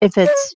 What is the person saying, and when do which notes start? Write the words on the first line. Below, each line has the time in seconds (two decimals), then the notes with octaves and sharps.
if it's
0.25 D5
0.33 C#5